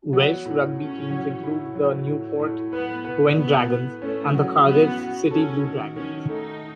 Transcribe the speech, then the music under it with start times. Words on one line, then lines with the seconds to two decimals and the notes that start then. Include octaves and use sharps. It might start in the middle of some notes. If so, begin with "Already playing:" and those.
Welsh rugby teams include the Newport Gwent Dragons and the Cardiff City Blue Dragons.
0.13 F#3 B3
0.45 A2
0.78 A2 C#4
1.10 F#3
1.43 E4
1.75 F#3
2.08 A2
2.40 A2
2.72 B3 B4
3.05 B4
3.37 B3 B4
3.69 B4
4.02 A3 C#4
4.34 F#3
4.66 F#3 B3
4.99 F#4
5.31 C#4 A4
5.64 D#3
5.96 D#3 C#4
6.29 A3 D#4